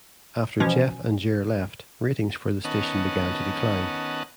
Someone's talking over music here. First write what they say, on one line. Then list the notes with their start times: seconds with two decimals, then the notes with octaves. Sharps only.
After Jeff and Jer left, ratings for the station began to decline.
0.60 B2 E3 F3 C#4
2.65 D#3 B3 C#4 D#5 F#5 A5